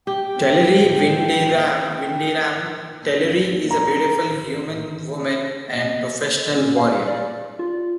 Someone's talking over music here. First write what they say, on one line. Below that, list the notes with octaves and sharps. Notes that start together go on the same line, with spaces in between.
Telerie Windyarm - Telerie is a beautiful human woman and professional warrior.
G4 G5
A#5
D#5
C#4
F5
D5
F4